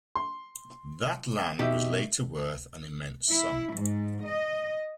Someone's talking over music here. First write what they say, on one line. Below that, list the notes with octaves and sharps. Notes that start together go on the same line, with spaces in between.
That land was later worth an immense sum.
C6
B2 D#4 G4 E5
E4
G#2
D#5